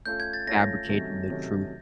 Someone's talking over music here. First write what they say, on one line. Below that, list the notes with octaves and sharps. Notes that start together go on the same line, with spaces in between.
fabricating the truth
A3 C#4 F4 A4 C#5 G6
G#6
A6
A3 C#4 F4 A4 C#5 A#6
C3 D#3 F#3 A3 C#4
C3 D#3 F#3 A3 C#4